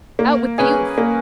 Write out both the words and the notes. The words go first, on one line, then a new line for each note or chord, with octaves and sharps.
Out with the oof.
A#3
C#4 G#4 B4
A#3